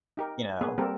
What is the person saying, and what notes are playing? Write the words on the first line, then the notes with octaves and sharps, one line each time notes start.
you know?
D#4 G4 A#4
A#3 B3 G#4 B4
G3 A#3 C4 G4 A4 A#4